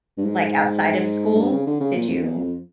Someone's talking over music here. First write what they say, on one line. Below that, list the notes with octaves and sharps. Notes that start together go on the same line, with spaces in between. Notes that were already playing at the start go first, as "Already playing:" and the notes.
like, outside of school? Did you
G2
G#2
G#2
G2
C#3
D3
C#3
A#2
F2
E2
F2